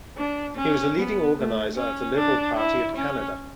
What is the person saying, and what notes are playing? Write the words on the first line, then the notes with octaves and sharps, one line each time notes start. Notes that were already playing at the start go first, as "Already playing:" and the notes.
He was a leading organizer of the Liberal Party of Canada.
D4
C#4
B3
A3
C#4
D4
E4
C#4